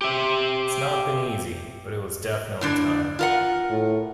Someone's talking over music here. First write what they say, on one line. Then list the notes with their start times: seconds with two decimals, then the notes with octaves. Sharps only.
It's not been easy but it was definitely time.
0.01 G4 E5
2.61 A2 D3 D4
3.19 F4 A#4 F#5
3.70 A2